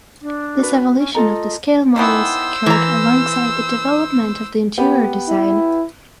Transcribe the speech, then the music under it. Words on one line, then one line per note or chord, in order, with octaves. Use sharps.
This evolution of the scale models occurred alongside the development of the interior design.
D4
F#4 B4
C#4
F4 A4 D#5 A#5
D#3 E3 B3 C5 E6
E3 A#3 A#5
B3 G4 B4
E4